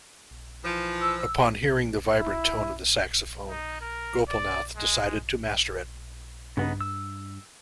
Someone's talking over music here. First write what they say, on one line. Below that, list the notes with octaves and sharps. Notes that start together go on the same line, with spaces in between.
Upon hearing the vibrant tone of the saxophone, Gopalnath decided to master it.
E3 F3
E6
E4
D#4
A#4
D5
G#3
G2 C#3 B3 D#4
E6